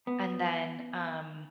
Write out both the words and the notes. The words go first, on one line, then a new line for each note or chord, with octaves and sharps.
And then, um,
B3